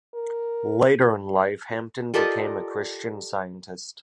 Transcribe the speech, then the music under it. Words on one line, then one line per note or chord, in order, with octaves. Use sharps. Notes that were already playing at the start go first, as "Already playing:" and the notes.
Later in life Hampton became a Christian Scientist.
A#4
F4 G4 A4 A#4 D5 D#5